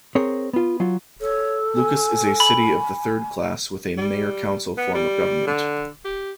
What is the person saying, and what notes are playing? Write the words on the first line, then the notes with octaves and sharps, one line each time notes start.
Lucas is a city of the third class with a mayor-council form of government.
C4 G#4 A#4 C#5
B3 F4
F#3 F4
A4 C#5
G#5
B5
G3
B3
G3
D3
G4